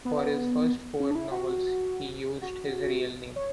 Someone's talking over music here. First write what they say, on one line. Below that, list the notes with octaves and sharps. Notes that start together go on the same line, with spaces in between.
For his first four novels, he used his real name.
B3
C#4
D4
E4
F#4
F#4
C#5